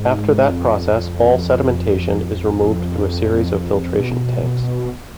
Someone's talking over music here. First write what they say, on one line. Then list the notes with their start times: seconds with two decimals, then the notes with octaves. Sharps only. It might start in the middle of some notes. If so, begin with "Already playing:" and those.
After that process all sedimentation is removed through a series of filtration tanks.
Already playing: G#2
0.50 F2
4.00 B2
4.43 B2